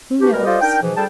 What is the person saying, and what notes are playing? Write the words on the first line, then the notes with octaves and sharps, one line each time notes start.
"Who knows?"
E3 D4 F#4 G4
B2 G3 A3 A#4
F4 G4 A4 C5 D5 D#5
D4 D#4 A#4 G5
G#2 B2 E3 F3
D2 G3 G#4 A4 G5 A5